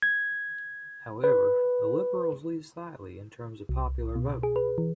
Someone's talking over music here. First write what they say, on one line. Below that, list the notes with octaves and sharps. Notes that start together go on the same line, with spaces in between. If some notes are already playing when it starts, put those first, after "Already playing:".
However, the Liberals lead slightly in terms of popular vote.
G#6
B4
C2
B2
G#4
B4
E3